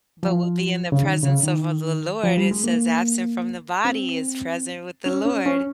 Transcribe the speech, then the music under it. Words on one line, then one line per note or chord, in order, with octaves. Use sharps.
But we'll be in the presence of a the Lord, it says "Absent from the body is present with the Lord."
F3
C#3
D#3
C#3
D#3
F3
G3
G#3
A#3
C4
C#4
C#4
C#4